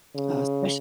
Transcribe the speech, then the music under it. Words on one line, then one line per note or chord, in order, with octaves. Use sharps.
uh, especi
C#3